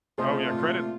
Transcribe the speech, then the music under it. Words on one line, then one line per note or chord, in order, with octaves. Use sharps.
Oh, yeah credit
C3 A3 F4 G#4 C5 D#5
A#2 A3